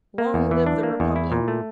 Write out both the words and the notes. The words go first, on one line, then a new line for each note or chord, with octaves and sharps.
Long live the Republic!
A#3
E2
E3
D4
A#3
E2
E4
A#2
A3